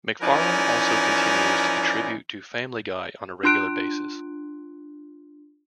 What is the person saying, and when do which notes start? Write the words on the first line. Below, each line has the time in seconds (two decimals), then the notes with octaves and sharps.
MacFarlane also continues to contribute to "Family Guy", on a regular basis.
0.22 E3 F3 C#4 D#4 A#4 D5
3.43 D4 F4 C6 F#6 D7